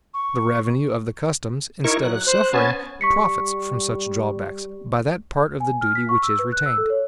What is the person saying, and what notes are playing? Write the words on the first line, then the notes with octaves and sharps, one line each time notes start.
The revenue of the customs, instead of suffering, profits from such drawbacks, by that part of the duty which is retained.
C#6
D#4 E4 A#4 C#6
F#3 F#6
C5
B3 C#4 G#5 A5
G3 C#6 B6 C#7
G#5
F6
B6
C#6
E6
B4
F#6
E6
A4
C#5